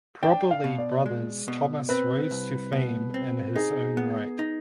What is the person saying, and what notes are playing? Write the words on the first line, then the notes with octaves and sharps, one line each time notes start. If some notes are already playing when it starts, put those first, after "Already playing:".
Probably brothers Thomas rose to fame in his own right.
D4 G5
F5
B2
D5
G#3
B2
C4 B4
C2
B2
C4
D#4 G#4
B3
D#4